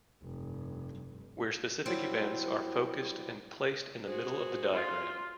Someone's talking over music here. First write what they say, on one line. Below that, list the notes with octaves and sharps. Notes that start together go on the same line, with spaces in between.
Where specific events are focused and placed in the middle of the diagram.
F1 G2
F#3 G3 C4 E4
F#4 G#4 C5
F4